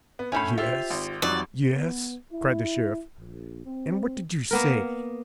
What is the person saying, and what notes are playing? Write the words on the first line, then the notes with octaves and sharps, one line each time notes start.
"Yes, yes," cried the Sheriff, "and what did you say."
B3
A2 C#4 E4 G#5 B5 G6
F4 G4 C5 E5
G#1
F2 G#2 F#3 G3 D5
B3
E4
A#1
C4
A#3 B3 A#4